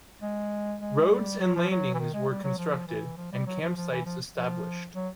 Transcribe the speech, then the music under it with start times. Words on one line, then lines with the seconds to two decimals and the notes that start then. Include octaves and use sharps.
Roads and landings were constructed, and camp sites established.
0.22 G#3
0.81 G#3
1.10 G3
1.40 F#3
1.55 F3
1.70 F#3
1.94 E3
1.99 D#3
2.14 G#3
2.29 G3
2.44 F#3
2.58 F3
2.88 E3
3.17 F3
3.33 G3
3.47 F#3
3.62 F3
3.77 F3
3.92 E3
4.06 F3
4.36 F3
4.95 F#3